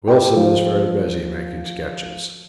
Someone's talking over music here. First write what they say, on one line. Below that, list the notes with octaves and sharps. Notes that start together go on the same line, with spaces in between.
Wilson is very busy making sketches.
G4
F3